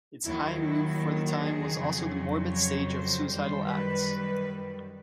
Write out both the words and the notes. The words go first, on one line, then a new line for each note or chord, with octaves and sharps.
Its high roof for the time was also the morbid stage of suicidal acts.
D#2 D#3 F#3 E4
E4
G#4
F2 C#3 F#3
C#5
C5
F#2 D#3 G3 C5
B4